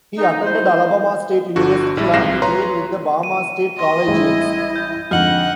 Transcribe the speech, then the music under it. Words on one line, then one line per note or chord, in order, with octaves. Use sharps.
He attended Alabama State University, where he played with the Bama State Collegians.
D#4
D#4 E4 C5
G1 D3 F#4
A#1 G3 E4
C2 G#2 C3 A#6 C7 E7
B4 C#5 A#5 C6
D#7
D#5 C6
A1 G3 G#3 E4
D#7
G6
F2 G#2 D3 D#5 F#5 F6 F#7